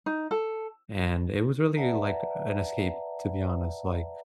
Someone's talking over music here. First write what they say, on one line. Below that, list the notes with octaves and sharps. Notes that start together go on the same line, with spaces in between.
and it was really like an escape, to be honest, like,
D#4
A4
B4 D5 E5 F#5 A5 A#5